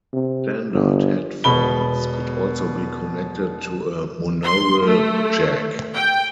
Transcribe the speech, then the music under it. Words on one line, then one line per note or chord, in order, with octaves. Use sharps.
Standard headphones could also be connected to a monaural jack.
C3
G1
E1 B2 B5 G7
C6
A3
G5